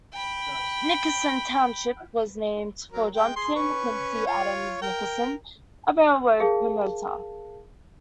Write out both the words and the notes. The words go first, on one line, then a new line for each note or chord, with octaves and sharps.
Nickerson Township was named for John Quincy Adams Nickerson, a railroad promoter.
G5 B5
F#3 A#4
G#3 G5
G#4 C6
C#4 B4 C#6
F4 C#5
A#4 G5
G#4 A#4 F5 A5